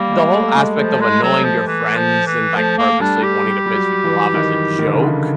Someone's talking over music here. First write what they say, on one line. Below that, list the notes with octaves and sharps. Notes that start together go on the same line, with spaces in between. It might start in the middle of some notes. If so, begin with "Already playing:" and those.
the whole aspect of annoying your friends and, like, purposely wanting to piss people off as a joke
Already playing: G3 A#3
G#3
A3
G#3
F3 A3
G#3
F#3
F3
E3
F3
E3
F3 A3
A#3
G3 D4
G4
G3
G3
F#3
E3
D#3
D#3
D3
C#3
D3